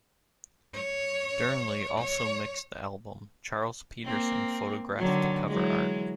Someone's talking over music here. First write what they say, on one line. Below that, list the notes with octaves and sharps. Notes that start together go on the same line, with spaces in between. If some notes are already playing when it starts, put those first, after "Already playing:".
Dearnley also mixed the album, Charles Peterson photographed the cover art.
C#5
C#5
A#3 C4
D3 D#3 F#3
E3 F#3 G#3